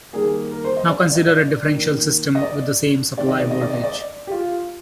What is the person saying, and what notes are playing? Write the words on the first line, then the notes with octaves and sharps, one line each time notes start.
Now consider a differential system with the same supply voltage.
D#3 G3 A#3 G#4
A#4
C5
D#5
D5
D5
D#5
D5
D#3 A#3
D#5
D5
C3 D#3 G#3 D5
D#5
D5
D#5
D5
D#5
D5
G4
F4